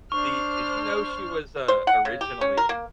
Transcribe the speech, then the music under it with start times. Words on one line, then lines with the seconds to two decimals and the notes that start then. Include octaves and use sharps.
The did you know she was, uh, originally
0.12 D4 C5 C#6 F6
1.68 C5
1.87 F#5
2.05 C#3
2.21 G4
2.41 C#4
2.57 A#4
2.69 A#3